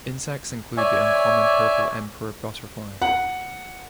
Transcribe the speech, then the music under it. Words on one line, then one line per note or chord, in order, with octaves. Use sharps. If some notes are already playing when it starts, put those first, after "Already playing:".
Insects include the uncommon purple emperor butterfly.
C#5 D5 E5 G#5
F#5